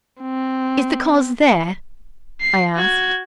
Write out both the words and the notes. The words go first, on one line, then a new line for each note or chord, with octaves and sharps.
"Is the cause there?" I asked.
C4
C7
F#4 G#6